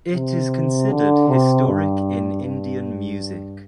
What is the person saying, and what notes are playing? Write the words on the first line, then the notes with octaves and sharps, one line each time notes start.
It is considered historic in Indian music.
C3
D3
C3
G2
G2